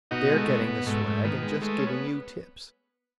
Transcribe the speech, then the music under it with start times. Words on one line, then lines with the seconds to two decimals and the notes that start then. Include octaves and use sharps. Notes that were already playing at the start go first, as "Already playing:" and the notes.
They're getting the swag, and just giving you tips.
0.11 B2 D#4 F#4
0.30 G#3
0.36 A3
0.49 B2
0.61 B3
0.68 B2
0.86 G#2 A3
1.06 G#2
1.24 D#3 B3
1.43 G#3
1.61 G#3 A3
1.79 C#4
1.86 B3